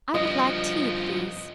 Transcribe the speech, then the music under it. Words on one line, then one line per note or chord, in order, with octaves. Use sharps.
"I would like tea, please."
G2 F3 D#5